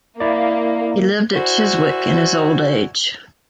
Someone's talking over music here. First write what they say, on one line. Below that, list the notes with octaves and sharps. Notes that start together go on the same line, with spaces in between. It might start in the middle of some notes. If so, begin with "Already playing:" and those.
He lived at Chiswick in his old age.
A#3 E4 D5
E4 F#4 C5 D5 E5 G#5